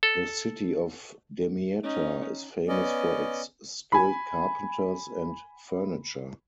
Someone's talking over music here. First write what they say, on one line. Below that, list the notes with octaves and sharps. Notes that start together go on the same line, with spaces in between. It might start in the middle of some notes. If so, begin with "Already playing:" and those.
The city of Damietta is famous for its skilled carpenters and furniture.
A4
C#4 D#4
B3 C#4 D5 D#5
G#5 B5